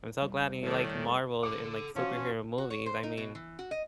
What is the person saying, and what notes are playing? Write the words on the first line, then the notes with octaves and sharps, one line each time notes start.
I'm so glad that you like Marvel and, like, superhero movies. I mean,
E1 G3
A2 D#3 A3 D5
A4 F#5 D6
E3 F3 C#4 F4 F#4
F#4
C#5
C5
D#4
B2
E3
F#4
D#5